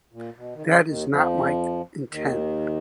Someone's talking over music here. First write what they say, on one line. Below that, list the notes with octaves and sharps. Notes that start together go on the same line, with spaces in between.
That is not my intent.
A#2
B2
D#3
C#3
D#2 D#3
F2 F3
D#2 D#3